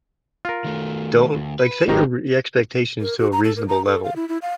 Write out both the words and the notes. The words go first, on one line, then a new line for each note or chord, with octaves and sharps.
don't, like, set your re your expectations to a reasonable level,
F4 A#4
D#3 A3
D2
B4
G#1 A2 D#3 F3 G4 A#5
A#4
F#4
A#5
A4
A#4
A#5
A4
F5
E4
E4
F5